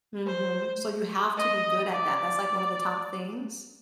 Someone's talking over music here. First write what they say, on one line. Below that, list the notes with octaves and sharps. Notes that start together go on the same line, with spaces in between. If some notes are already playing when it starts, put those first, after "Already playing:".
Mhm. So, you have to be good at that, that's like one of the top things.
C5
D#5
D5